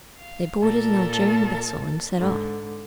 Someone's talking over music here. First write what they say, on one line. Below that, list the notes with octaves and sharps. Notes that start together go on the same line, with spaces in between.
They boarded an Algerian vessel and set off.
F5
A#2 A4 A#4 A5 A6
G#2 D3